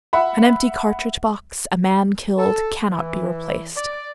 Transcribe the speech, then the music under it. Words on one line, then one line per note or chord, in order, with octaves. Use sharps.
An empty cartridge-box, a man killed, cannot be replaced.
E5 F#5 B5
A4
E3
D5